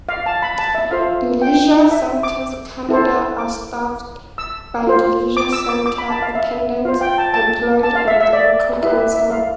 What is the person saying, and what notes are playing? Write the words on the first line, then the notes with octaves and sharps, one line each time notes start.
Leisure centres Canada are staffed by leisure centre attendants employed by the local council.
F5
A5
B5
A5
E5
F4 A4 C5 F5
G5
E5
D6
E4 A4 C5
D6
E6
F4 C5
D6
E6
D6
D6
B5
A5
F5
E5
F4 C5 F5
G5
A5
A5
A5
F5
E5
E5
D5
E4 G4 B4 E5
E5
E5
F5